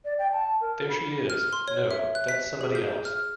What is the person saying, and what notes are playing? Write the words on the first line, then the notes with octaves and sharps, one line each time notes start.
There she is — no, that's somebody else.
D5
G5
A5
A#4
B5
F6
C6
C#5
E5
F#6
B6
G#4
G6
F6